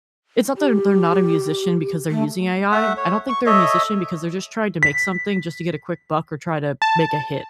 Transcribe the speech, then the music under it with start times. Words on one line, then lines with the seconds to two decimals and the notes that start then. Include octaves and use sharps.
it's not that they're they're not a musician because they're using AI, I don't think they're a musician because they're just trying to make something just to get a quick buck or try to make a hit,
0.57 G4
2.10 A3
2.72 A3 E5 F#5
2.97 C#5
3.29 C#6
3.46 A4 C#5 D#5 E5
4.83 B6
6.82 A5